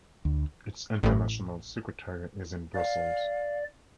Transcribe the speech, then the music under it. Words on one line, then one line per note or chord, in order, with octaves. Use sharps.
Its International Secretariat is in Brussels.
D2
A1 A2
D5 F5